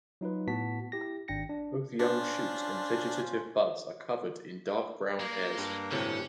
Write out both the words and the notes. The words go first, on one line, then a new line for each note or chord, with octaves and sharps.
Both young shoots and vegetative buds are covered in dark brown hairs.
F#3 D#4 F4 B4
A2 B3 F#4 A5 B6
E4 G4 A#6
G#1 D4 G5 A#6 C#7
D4
C#4 D4 F4 C5
G#3 A#3
G2
D2 A2 C3 C#4